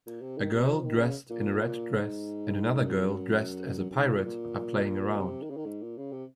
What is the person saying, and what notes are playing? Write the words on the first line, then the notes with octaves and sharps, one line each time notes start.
A girl dressed in a red dress and another girl dressed as a pirate are playing around.
A#2
C3
D#3
C3
F3
D#3
C#3
A#2
G#2
F#2
F2
F#2
F#2
F#2
G#2
A#2
A#2
C3
D#3
C#3
D#3
G#2
A#2
C#3
C3